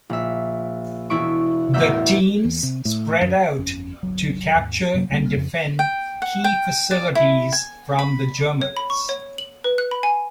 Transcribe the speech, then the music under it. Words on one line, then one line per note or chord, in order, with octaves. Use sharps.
The teams spread out to capture and defend key facilities from the Germans.
A#1 E5
E1 E4 E5 C#6 D7
A1 E2 A#4 E5 G6
E2
C3
A2
F#2
G1 F2 C#4
D1 G1 F#3
D#2 G#2
F#2 C3 F#3 A#3
D1 B1 G3 A#3
F2 C#3
G5
F#5
G5
D5
E4
G#5
B5
C#5
B5
C#6
C#5
F#7
B4
F#6
B5
G#5